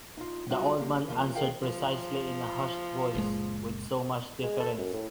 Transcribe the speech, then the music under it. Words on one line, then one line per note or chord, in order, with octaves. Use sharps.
The old man answered precisely in a hushed voice, with so much deference.
D#4 F4
F#3 G3 D#4 F4 F#4 D#5
F#3 A#3 G4
E3 F3 A#3 C#4 F4 G#4
D#2 G#4 A#4 D#5 F5 G5
F3
F#1 A#2 G#3
G#3
A4
F#2
A2